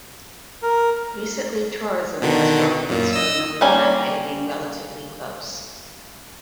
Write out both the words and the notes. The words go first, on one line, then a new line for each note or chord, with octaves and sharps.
Recently tourism has grown in Sarina with Mackay being relatively close.
A#4
B2 D3 D#3
F#2 A#2
D#5 E6
G3 A#3 C#4